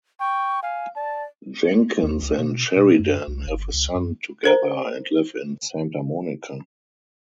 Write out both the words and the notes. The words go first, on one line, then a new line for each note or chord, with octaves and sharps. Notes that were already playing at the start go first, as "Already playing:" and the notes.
Jenkins and Sheridan have a son together, and live in Santa Monica.
G5 C#6
F5 G#5
D5 A5
D#2
C#2
B2
B2
F#2
C2
G1
C#2
F#2
A#4 C5 A#5